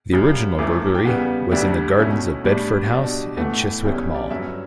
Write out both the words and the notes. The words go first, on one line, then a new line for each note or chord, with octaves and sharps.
The original brewery was in the gardens of Bedford House in Chiswick Mall.
F#2 C#3 G3
F#2 E3 A3 C#4 E4 D6
D6
G5
E2 C#3 G3 B3 F#5
D2 D3 G3 D4 E5
B2 A3 C#4 E4
A2 G3 D4
B2 G3 D4
A2 E3 A3 F#5
G5
E2 D3 G3 C#4 E4 G5
D5
G2 F#3 C#4 E4 E5